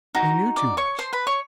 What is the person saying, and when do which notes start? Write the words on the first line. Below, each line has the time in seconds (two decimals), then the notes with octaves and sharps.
He knew too much.
0.15 D#4 F#4
0.56 D5 D6
0.77 C#5 C#6
0.99 C5 C6
1.13 B4 B5
1.27 C#5 C#6